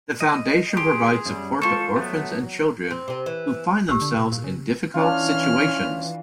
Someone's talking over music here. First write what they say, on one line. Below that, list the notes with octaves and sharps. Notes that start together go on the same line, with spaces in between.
The foundation provides support to orphans and children who find themselves in difficult situations.
D#5
G4 G#4 C6
F#2 G3
G#3 F4 A4 C5 C#6
F#3 A3 B3
C4
C3 C4
E3
B1 G4 E6
D3
B2
A#2
C#3
E3 C#4 D4 F4 F6